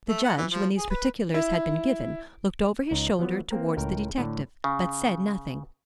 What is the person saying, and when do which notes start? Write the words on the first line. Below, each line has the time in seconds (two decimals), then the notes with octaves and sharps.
The Judge, when these particulars had been given, looked over his shoulder towards the detective, but said nothing.
0.08 A3
0.24 F#5
0.37 E3
0.50 F3
0.77 G#4
0.90 B4
1.34 E4
2.91 C#2 D#4
3.19 F3 F#3 B3
3.51 A#3 C4 A#4
3.77 C#2 A2 A#4 G5
4.18 A2 D3
4.64 C#3